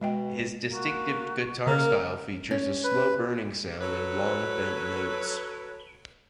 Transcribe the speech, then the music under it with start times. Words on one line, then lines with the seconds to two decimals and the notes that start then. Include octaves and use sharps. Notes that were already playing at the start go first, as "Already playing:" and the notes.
His distinctive guitar style features a slow-burning sound and long bent notes.
0.01 B2 G#3 D#5 G5
0.70 A#3 F#4
1.67 C#3 A#3 A#4
2.51 C#4
2.84 B4
3.81 F#3 A4 B4 C#5